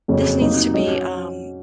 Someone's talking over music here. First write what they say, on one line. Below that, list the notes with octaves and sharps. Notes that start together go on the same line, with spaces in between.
This needs to be, um,
F2 C#3 F#3 A#3 C#5
C3 F#3 A#3 D#4
F#3 C#4 D#5